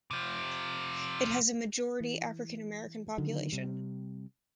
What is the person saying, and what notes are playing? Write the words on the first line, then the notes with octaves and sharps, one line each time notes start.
It has a majority African-American population.
C3 F3
E3
D3 D#3 F#3
C3 G3